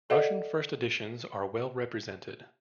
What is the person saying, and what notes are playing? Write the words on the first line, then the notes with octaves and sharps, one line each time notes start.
Russian first editions are well represented.
A4 D5 D#5 F5 F#5